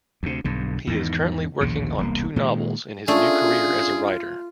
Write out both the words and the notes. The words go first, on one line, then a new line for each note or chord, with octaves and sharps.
He is currently working on two novels in his new career as a writer.
D2 C3
B1 G2 D3
E2 G#2 D#3
A#1 D#2 A2 C#3
E1 C2 D3 A#3
A#2 D#3 G#3
A3 C#4 D4 F4 G#4 D5